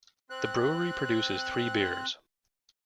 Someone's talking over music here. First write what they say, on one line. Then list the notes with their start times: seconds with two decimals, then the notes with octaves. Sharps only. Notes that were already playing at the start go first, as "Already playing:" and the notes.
The brewery produces three beers.
0.30 C4 F#6